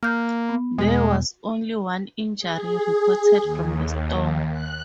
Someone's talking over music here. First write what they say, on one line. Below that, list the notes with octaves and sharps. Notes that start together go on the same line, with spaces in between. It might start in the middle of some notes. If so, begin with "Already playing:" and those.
There was only one injury reported from the storm.
A#3 F6 G6
B3
E2 B2 G#3
G#4
D#2
F#6